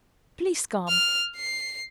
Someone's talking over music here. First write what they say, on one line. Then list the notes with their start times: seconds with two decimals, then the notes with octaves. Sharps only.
Please come!
0.88 F6
1.37 C7